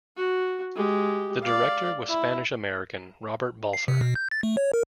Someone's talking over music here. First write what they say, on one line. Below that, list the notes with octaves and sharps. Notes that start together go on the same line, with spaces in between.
The director was Spanish-American Robert Balser.
F#4
G#3 G4
D5 F5
E4
C7
C3
B2
G6
A6
A3
C#5
A#4